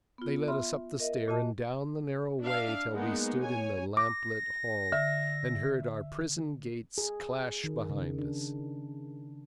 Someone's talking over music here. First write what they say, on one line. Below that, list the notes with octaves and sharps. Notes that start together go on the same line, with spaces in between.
They led us up the stair and down the narrow way, till we stood in the lamp-lit hall, and heard our prison gates clash behind us.
B3 F4
E5 B5 C6 F6
A#4 D#5 E5
A#2 F#4 D#5 A5
D4 E5 F5
G#3 A#3 B3 D#4 F#5
C#5 G#5
D6 A#6
D3 E5
G#4
D#3
C#3
D4